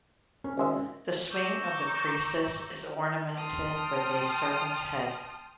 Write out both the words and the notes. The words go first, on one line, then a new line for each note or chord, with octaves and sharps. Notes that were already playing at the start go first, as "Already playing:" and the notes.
The swing of the priestess is ornamented with a serpent's head.
C#4
G#1 G#3 E5
A#5 C#6 D6 E6 G6
G5 A5 C6 D#6 F6